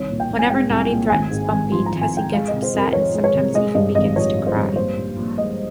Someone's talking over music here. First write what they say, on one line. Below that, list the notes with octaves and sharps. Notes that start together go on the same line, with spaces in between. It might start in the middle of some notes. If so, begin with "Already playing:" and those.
Whenever Noddy threatens Bumpy, Tessie gets upset, and sometimes even begins to cry.
Already playing: C2 D#3 C#5
A#2
G5
C2
G#5
G#3 G5
C2
A#2
G#1 G#5
G#2
G#1
F3 C6
A#5
G#1
G#5
G#2
G5
G#3 F5
C3 D#5
C5
F2 A#4
F3 C#5
G#3
C#5
C3
G#3 D#5
G2 D#5
G#1 D#5
F3 C#5
G#3
C5
G2
A#1 C5
A#2
A#1
G#3 D#5